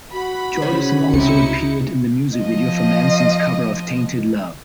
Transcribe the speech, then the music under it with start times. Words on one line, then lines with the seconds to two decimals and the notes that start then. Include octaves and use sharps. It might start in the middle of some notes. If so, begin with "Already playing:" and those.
Jordison also appeared in the music video for Manson's cover of Tainted Love.
0.12 F#4 F#5 B5
0.62 C#3 C#4 C5
1.13 C#2 C3 D#4 E4 C#7
2.38 F3 D#5